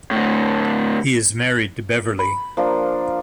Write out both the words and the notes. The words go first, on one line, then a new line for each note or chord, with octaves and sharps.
He is married to Beverly.
A2 D3
B5
F3 A#3 D4